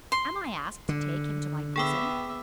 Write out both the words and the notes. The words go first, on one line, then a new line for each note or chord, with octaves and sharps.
Am I asked to take him to my bosom?
C6
D3
B3 G#4 E5 G5 D6